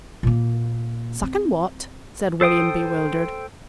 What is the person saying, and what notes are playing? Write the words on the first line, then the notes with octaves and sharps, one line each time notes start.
"Suckin' wot?" said William, bewildered.
A#2 A#3
C4
A4 C5 G5 D#6